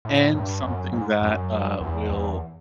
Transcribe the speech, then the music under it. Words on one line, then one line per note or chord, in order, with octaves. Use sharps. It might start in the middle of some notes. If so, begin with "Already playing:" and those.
and something that, uh, will
A2
G2
F#2
G#2
F#2
E2
E2